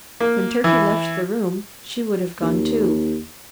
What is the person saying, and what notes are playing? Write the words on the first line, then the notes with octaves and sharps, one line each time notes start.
When Turkey left the room, she would have gone too.
A#3
E3
D#2